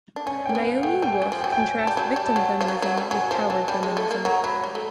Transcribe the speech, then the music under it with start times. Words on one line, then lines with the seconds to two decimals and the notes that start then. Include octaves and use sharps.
Naomi Wolf contrasts victim feminism with "power feminism".
0.16 D4
0.26 C#4 G#5
0.46 A#3 G5
0.55 B3
0.64 F5
0.78 F#5
0.83 A3 G5
1.02 G3 G5
1.13 G#5
1.22 F#3
1.32 F3
1.41 G5
1.44 F#3
1.52 G5
1.60 G#5
1.79 A5
1.87 G3
1.97 F#3
2.16 G3
2.26 A5
2.36 F#3
2.61 F3
2.68 F#3
2.82 F#3
2.98 G3
3.11 F#3 G#5
3.30 F3 A5
3.50 F#3 A5
3.68 G3
3.83 G#3
3.97 A3
4.11 A#3
4.25 F#3 A#5
4.44 F#3 B5
4.64 G3
4.75 A3